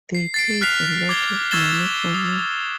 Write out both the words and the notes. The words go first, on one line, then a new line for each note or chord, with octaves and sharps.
They paid a lot of money for me.
C7
A6 C7 D7
F6 F#6 B6 C7 F7
D6 G#6 G7
C#6 E6 G#6 A6 E7 G7
D#6